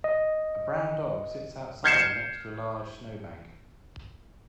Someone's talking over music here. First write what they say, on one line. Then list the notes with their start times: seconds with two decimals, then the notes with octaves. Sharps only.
A brown dog sits outside next to a large snowbank.
0.04 D#5
1.84 F6 G6 G#6 C7 C#7 E7